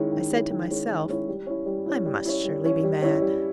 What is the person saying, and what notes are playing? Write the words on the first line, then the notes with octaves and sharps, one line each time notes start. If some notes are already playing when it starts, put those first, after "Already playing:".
I said to myself: 'I must surely be mad!'
Already playing: D#3 G#3 C#4 E4
D#3
G#3 C#4 E4
D#3
G#3 C#4 E4
D#3
G#3 C#4 E4
G3
C#4 E4
G3
C#4 E4
G3
C#4 E4
G3
C#4 E4
G3
C#4 E4
G3